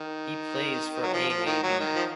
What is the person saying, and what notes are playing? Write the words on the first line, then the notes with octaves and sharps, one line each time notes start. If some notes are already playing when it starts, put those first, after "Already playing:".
He plays for AaB.
Already playing: D#3
F#3
F3
F3
D#3
F#3
D#3
F3